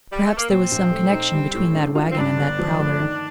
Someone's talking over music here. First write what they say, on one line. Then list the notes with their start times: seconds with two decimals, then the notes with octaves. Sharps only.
Perhaps there was some connection between that wagon and that prowler.
0.12 G3
0.24 A3
0.37 A#3
0.50 A#2 C4
0.71 A#1
0.91 A3
1.12 D#4
1.33 G3
1.54 A2
1.75 D4
1.95 F4
2.11 C4
2.17 G2 D4
2.37 G1
2.59 F3
2.80 A3
3.00 D#3